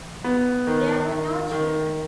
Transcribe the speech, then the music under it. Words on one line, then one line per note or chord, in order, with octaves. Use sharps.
There were no children.
B3
D#3
D#3
D#3